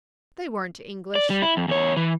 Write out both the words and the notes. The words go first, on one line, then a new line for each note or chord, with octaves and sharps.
"They weren't English."
D5
G3
E4
F2
E2 C#5
E3